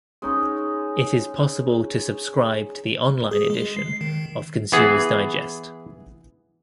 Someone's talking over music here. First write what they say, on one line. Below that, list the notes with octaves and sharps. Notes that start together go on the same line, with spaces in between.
It is possible to subscribe to the on-line edition of Consumers Digest.
G#3 C#4 D#4
G#4
G#3
C7
D#3
E3 B3 G#4